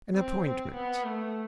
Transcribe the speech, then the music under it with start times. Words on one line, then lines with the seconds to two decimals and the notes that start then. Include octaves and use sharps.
"An appointment."
0.14 C4
0.45 C4
0.74 B3
1.04 A3